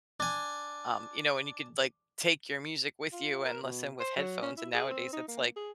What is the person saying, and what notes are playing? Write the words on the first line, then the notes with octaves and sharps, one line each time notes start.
um, you know, and you could, like, take your music with you and listen with headphones, and nowadays, it's, like
D4 G#5
F4
A#4
B2
C5
F#3
C#4
E4
G#4
C4
D#4
A#3
G#4